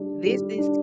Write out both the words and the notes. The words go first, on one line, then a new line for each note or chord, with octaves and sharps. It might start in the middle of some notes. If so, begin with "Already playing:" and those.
This is"
Already playing: G3 D4
G3
D4